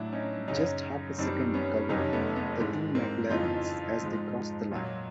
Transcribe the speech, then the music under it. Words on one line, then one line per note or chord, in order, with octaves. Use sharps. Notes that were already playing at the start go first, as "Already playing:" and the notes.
Just half a second covered the two McLarens as they crossed the line.
Already playing: A2 F#3 D4 E4
C#4 D#4
F#2 C#3 F#3 C#4 D#4
F#2 D#3 G3 C4 D4
B3 C#4
F2 C3 D#3 F#3 C#4 D#4
A3 B3
A3 B3
G#2 E3 G#3
A#3 C4
F2 C#3 E3 D#4 F4
G#2 F3 G#3
A#2 F#3